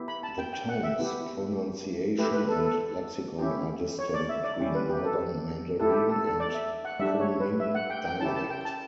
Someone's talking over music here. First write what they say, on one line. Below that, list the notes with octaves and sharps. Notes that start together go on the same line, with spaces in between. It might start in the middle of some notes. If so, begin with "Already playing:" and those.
The tones, pronunciation, and lexicon are distinct between Northern Mandarin and Kunming dialect.
Already playing: B3 E4 G4
B5
A5
G5
G5
F#5
E5
B3 E4 G4
A3 E4 G4 B4
B4
A4
A4
C#4 E4 G4
C#5
D5
E5
D5
G3 C#4 E4 G4
B4
G4
A4
A3 E4 G4 A4
G4
A4
A4
A4
D5
E5
F#5
G3 D4 G4 E5
C#5
B4
E5
F#5
G5
G5
C#4 E4 G4 A5
A5
G5
A5